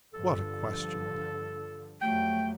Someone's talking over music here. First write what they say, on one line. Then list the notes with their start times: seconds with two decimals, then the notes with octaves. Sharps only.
"What a question!"
0.14 G2 D3 F3 A4
2.01 F2 F#3 G3 A3 G5